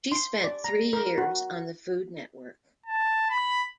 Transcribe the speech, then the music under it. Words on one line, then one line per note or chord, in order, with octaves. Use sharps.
She spent three years on the Food Network.
C6
D5
A#5
A#4
F#4
A5
B5